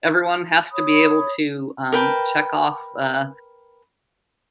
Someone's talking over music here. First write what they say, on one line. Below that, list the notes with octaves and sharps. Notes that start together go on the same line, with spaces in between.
everyone has to be able to, um, check-off, uh,
C#5 B5 D#6
A#4 B4 G5 A5